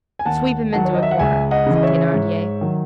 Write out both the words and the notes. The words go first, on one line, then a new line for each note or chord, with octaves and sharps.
"Sweep him into a corner," said Thenardier.
G#5
D#2 F#5 A5
D#3 F#3 F#5 A5
C#5
D#5
E5
F#5
C#2 E5 G#5
D#5 F#5
C#3 E3
D#5
C#5 E5
G#2
D#3 F#3